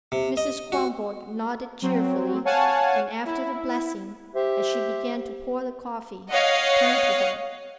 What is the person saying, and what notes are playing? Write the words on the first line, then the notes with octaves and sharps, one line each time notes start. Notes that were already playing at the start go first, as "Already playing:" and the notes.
Mrs. Kronborg nodded cheerfully, and after the blessing, as she began to pour the coffee, turned to her.
C3
D#5
F#4
F#3 C4
C#5 F5 F#5 G#5 A5
E4
G4 C5 E5
C#5 D#5 F5 F#5